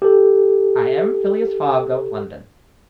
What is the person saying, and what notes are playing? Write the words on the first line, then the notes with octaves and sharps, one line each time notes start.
"I am Phileas Fogg, of London."
G4 A4